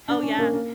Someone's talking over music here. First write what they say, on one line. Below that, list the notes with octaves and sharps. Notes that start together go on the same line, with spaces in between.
Oh, yeah.
D4
C#4
A#3
A#3